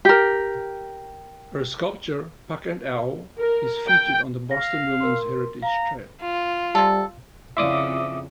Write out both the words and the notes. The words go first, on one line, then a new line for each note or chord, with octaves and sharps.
Her sculpture, "Puck and Owl", is featured on the Boston Women's Heritage Trail.
G4 A#4
A#4
G5
F5 A#6
A#4 C6
F5 A#5
F4
C3 G3 A4
F2 C#3 E4 D5 E5 F5 D6 D#6